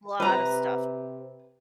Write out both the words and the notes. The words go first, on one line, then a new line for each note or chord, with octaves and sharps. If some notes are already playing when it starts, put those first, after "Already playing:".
Lotta stuff.
C3 B4 A#5